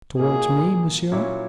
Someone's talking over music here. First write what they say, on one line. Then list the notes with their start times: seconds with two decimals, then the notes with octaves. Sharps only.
"Towards me, monsieur?"
0.19 A#2 A#3 D#4 F#4 G#4
1.12 A#2 F#3 C#4 E4